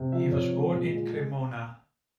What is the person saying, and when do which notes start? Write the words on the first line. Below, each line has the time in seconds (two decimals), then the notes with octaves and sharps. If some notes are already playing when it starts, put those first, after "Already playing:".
He was born in Cremona.
Already playing: C3
0.12 F3 E5
0.32 C3 C#5
0.52 G#3
0.72 A#2
0.92 G#3
1.12 G#3